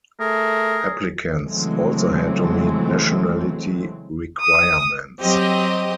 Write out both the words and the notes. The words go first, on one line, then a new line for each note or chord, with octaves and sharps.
Applicants also had to meet nationality requirements.
A3 G#4 A#4
C#3 E3 F#3 G#3 A3 C4
D#6
F#3 C4 G4 D#5